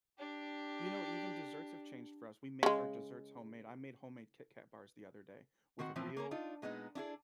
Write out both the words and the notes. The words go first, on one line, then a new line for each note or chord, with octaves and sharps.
You know, even desserts have changed for us, we make our desserts homemade, I made homemade KitKat bars the other day with real
D4 G4
C#3 G#3
D#3 C4 F#4 F#5
A2 E3 F3 C4
A#3 C#4 A#4
D4 D#4 F4
A#2 G#3 B3 D#4
D4 E4 F4 G#4